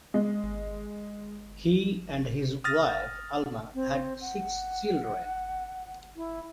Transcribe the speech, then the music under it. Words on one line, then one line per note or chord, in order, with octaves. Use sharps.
He and his wife Alma had six children.
G#3
D#6 F6 A6 A#6
C4
F#5
E4